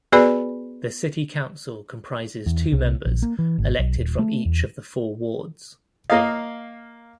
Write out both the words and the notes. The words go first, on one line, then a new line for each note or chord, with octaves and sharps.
The city council comprises two members elected from each of the four wards.
B3 F#4 G#4 B4 D5 B5
E2
C2
A#1
A#3
E3
G#1
B1
D#1
A3
E2
A#3 D#5 F5